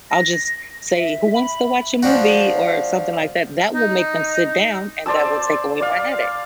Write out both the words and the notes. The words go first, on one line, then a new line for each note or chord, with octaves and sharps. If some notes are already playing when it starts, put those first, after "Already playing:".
I'll just say, "Who wants to watch a movie?" or something like that, that will make them sit down and that will take away my headache.
A#6
E5
B5
F3 D4 F#4
D#4
C5 D5 A5 E6
D5 F5